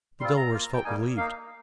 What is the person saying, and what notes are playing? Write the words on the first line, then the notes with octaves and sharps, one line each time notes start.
The Delawares felt relieved.
G3 C4 F4 C6
A#5
A#3 F4
G5
G3 A#3 D#4 G#5
A#3 D#4 F5